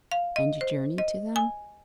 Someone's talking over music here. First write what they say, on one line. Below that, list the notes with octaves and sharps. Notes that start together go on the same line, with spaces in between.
"And you journeyed to them?"
F5
D#5
C5
D#5
G#5